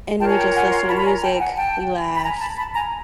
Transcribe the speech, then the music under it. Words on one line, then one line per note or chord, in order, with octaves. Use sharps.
and we just listen to music, we laugh,
F4 A#4 C#5 G5 A5
G#5
G5 A5
F#5 G#5
A#5 C6
A5 B5
B5
G#5 A#5
G5 A5
F#5 G#5
G5 A5
B5
G#5 A#5
A5 B5
A5 B5
G#5 A#5